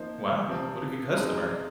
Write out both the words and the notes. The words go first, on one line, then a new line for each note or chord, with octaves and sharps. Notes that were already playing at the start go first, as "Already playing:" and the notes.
Wow. What a good customer.
Already playing: F3 A#3 D#4 C5
C3 F3 C4
G#3 D#4